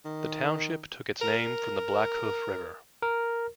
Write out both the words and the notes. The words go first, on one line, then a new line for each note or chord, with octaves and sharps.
The township took its name from the Blackhoof River.
D#3
A#4
A#4